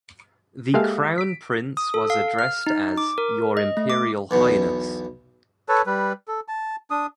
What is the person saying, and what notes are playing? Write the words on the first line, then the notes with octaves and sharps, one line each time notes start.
The crown prince was addressed as 'Your Imperial Highness'.
G#3 A#3 G4 A4 E5 F5
B6 D7
D#6
A4
F5
F6
D#4
D6
A#4
D#5
A3
D6
B1 E2 B2
A4 B4 C#5 A5
G3 B4
A4
A5
D4 D#6